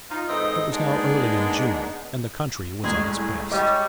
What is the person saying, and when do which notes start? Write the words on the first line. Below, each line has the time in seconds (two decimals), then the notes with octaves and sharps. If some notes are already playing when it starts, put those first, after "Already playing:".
It was now early in June, and the country was at its best.
0.10 D#4 F4
0.29 G#2 E3 C4 D#4 A4 D#5
0.72 G#3 A#3 B3 D4 D#4
2.84 C2 A2 G#3 G#4
3.52 G3 C#5 D#5 D6